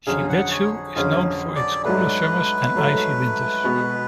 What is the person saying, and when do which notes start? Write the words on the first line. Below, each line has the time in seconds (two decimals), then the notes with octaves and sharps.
Shibetsu is known for its cooler summers and icy winters.
0.07 F2 D3 F#3 C#4 G#4 F5
0.29 F#5
0.51 C#5
0.96 F2 D3 F#3 C#4 G#4 F5
1.55 D5
1.85 G#2 F#3 A3 B4
2.75 G#2 F#3 A3
3.64 B2 G#3 B3 F#4